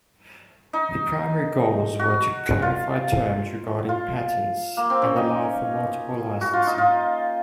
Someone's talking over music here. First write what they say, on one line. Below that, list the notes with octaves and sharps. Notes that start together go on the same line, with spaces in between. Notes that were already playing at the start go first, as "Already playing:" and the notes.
The primary goals were to clarify terms regarding patents and allow for multiple licensing.
D#4
F#4
F4
F4
A#3
C4
C#4
D#4
F#4
F4
D#4
F4